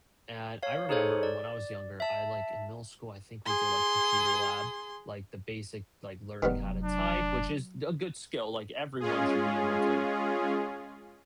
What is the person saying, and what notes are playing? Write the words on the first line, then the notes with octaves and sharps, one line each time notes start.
and, I remember when I was younger, I like, in middle school, I think we did, like, computer lab, like, the basic, like, learning how to type, which is the a good skill, like, everyone should be able to
C#5 F5
D#4 G#4 A4 C5 C#5
D5
E5 A5
G#4 C6
F1 D#3 F#3 G3 B3
D4
G#3 C#4 F4 G#4